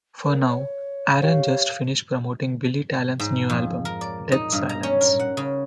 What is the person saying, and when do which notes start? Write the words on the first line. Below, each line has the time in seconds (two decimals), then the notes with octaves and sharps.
For now, Aaron just finished promoting Billy Talent's new album, Dead Silence.
0.23 A#4
0.48 C#5
1.22 G4 C#5 F5
3.20 G#2
3.50 F2
3.85 A#4
4.01 D5
4.32 D#4
4.52 G2
4.69 A#5
4.83 C#4
5.01 A#4
5.19 F#5
5.37 C#3